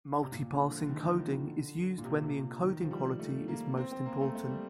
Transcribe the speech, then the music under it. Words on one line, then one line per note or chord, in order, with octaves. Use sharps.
Multi-pass encoding is used when the encoding quality is most important.
C3
A#2
D3
F3
D3
D#3
D#3
F3
D#3
D3
A#2
C3
C3
D#3
F3
G3
A3
A#3
C4
C4
A#3
A3
A3
G3